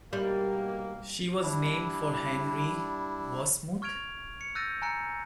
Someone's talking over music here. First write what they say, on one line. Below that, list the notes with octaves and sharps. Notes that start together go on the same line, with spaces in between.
She was named for Henry Wasmuth.
G#2 B2 G3 A#3
G3 D4 E4
C#6 F6 G#6 D7 F7
C#7
E6 F#6 G6 A6 A#6 D#7
G#5 A#5 F#6 C#7